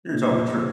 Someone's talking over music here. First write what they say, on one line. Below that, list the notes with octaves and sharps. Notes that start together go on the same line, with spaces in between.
you're telling the truth.
A#2
A#2
A#2